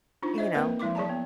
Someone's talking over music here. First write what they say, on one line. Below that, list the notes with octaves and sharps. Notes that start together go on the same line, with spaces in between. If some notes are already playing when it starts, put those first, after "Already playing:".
you know
D4 D#4 F4 C5
C5 D#5 E5
A#3 C4 A#4 B4 F#5 G5
F3 G#3 E4 C6 D6
F#3 G#4 D5 A5 A#5
B3